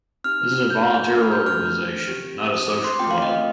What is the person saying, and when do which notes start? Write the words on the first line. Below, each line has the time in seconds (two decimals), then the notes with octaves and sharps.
This is a volunteer organization, not a social club.
0.24 C4 D#4 G4 F6
0.59 F6
0.70 G6
1.15 A3 D4 A4 F6
1.32 G6
1.46 F6
2.08 C4 G4
2.54 D#6
2.69 D6
2.84 C6
2.99 A3 C4 F4 G5
3.11 F5
3.22 D#5